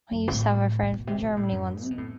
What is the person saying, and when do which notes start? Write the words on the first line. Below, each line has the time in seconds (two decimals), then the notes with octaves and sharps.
I used to have a friend from Germany once.
0.12 F#2
0.28 B2
0.32 A2
0.82 A2
0.92 B2
1.07 C3
1.22 B2
1.36 A2
1.52 F#2
1.83 C3
1.91 B2
1.98 A2